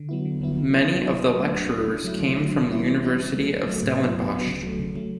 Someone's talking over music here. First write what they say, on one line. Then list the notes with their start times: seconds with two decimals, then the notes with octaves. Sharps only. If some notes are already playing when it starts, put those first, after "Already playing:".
Many of the lecturers came from the University of Stellenbosch.
Already playing: D3
0.09 F#3 B3 E4
0.25 D3
0.41 F#3 B3 E4
0.58 F#3
0.74 B3 E4
0.91 F#3
1.07 B3 E4
1.23 F#3
1.39 A3 D4
1.55 F#3
1.72 A3 D4
1.87 C#3
2.04 F#3 A3 E4
2.20 C#3
2.36 F#3 A3 E4
2.53 E3
2.69 G3 C#4 E4
2.85 E3
3.01 G3 C#4 E4
3.18 C#3
3.34 F#3 A3
3.50 C#3
3.66 F#3 A3
3.83 A2
3.98 F#3 B3
4.15 A2
4.31 F#3 B3
4.47 C#3
4.63 F#3 A3
4.79 C#3
4.95 F#3 A3